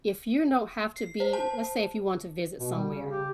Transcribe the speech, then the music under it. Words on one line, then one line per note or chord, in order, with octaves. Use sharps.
if you don't have to be let's say if you want to visit somewhere,
C7
C5
A5
B2
G3
C#3
G4